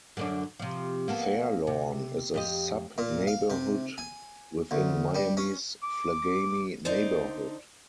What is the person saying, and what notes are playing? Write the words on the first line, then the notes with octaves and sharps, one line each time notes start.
Fairlawn is a sub-neighborhood, within Miami's Flagami neighborhood.
F#2 D3 D4
C3 F3
A#3 B3 A4
C3
F2 G4 D#5
A#2
F5
C3
G#5
D2
G3
C#4
D6
D3 D#4 C5 D5